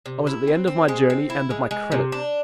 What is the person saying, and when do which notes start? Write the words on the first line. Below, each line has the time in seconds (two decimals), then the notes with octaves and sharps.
I was at the end of my journey and of my credit.
0.06 C3
0.27 E4
0.47 C4
0.68 C4
0.88 G#3
1.10 C4
1.30 E4
1.51 G#3
1.71 G#3
1.92 C3
2.12 D4